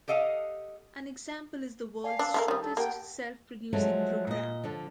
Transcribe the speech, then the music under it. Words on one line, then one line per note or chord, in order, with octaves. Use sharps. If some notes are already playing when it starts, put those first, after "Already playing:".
An example is the world's shortest self-reproducing program.
G4 A4 D#5 F5 F#5
D5 F5 G#5 A5
D4 E6
A3 F4 A#4
D#3 G3 D#6
A4 A5
A#3 G4 F#5 G5
F3 F#3 G#3 A3
A#2 D#5
D3 F3 D4